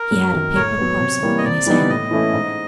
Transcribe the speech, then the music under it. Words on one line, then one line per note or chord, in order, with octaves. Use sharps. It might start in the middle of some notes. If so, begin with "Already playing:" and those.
He had a paper parcel in his hand.
Already playing: A#4
F#2
D#3 F#3
A2 C#5
F#3 B3
C3
E3 G3 A#3
D#5
C3 D5
E3 G3 B3 D#4
A2 D#5
E3 A3 C#4 E4
G#2